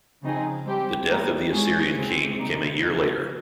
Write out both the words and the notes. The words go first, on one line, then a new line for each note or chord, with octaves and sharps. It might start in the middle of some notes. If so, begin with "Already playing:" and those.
The death of the Assyrian king came a year later.
C#3 F3 C4 D#4 G#4
G3 C4 G4 C5
D#3 G3 A#3 D#4
G#3 C#4 G#4 C#5
C#3 G#3 C4
C3 G3 A#3 D#4
C#3 F3 C4 D#4